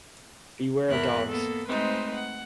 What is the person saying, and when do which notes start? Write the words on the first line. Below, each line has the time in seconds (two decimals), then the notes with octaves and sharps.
Beware of dogs.
0.88 E2 G#2 E4 A#4 F#6
1.27 A#3 B3 A4
1.67 G#3 A3 C4 D#4 B4 C5
2.14 F#5